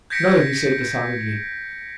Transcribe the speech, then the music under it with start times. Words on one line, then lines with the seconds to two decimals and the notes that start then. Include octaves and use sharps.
'No,' he said decidedly.
0.10 G6 G#6 A#6 B6 C#7 D7